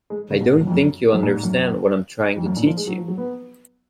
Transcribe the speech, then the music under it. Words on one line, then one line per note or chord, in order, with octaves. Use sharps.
I don't think you understand what I'm trying to teach you.
G#3
C#3
B2
G#2
F#2
F2
F#2
F#2
A#2
G#2
F#2
F2
F#2
A#2
F3
G#3
F#3
F3
F#3
B3